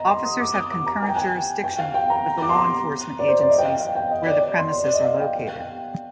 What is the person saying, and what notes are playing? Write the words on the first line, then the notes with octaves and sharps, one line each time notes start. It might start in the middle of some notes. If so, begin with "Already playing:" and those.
Officers have concurrent jurisdiction with the law enforcement agencies where the premises are located.
Already playing: D#5 A#5
C6
D#6
D6
D#6
D6
A#5
G#5
G5
G#5
G5
F5
G5
A#5
D6
C6
A#5
D5
C5
D5
D#5
G5
F5
F5
G5
D#5
D5
D5
C6
D5
D5
D#5
F5
G5
F5
G5
F5